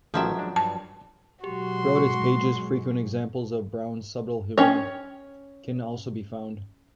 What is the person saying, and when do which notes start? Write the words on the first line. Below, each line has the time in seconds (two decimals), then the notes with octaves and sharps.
Throughout its pages frequent examples of Browne's subtle humour can also be found.
0.14 A1 D#3 F3 F#3 E5 G5
0.37 G#3 D4
0.56 G2 A5
1.44 B2 F#3 G#3 F#4 G4 C6
1.96 C#6
4.58 C#4 C#5